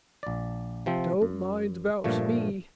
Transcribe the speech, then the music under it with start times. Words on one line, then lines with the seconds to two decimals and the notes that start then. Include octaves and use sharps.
Don't mind about me.
0.23 A#1 D5
0.86 C3 F3 C4
1.22 F#2
2.04 G2 A#2 F3 A3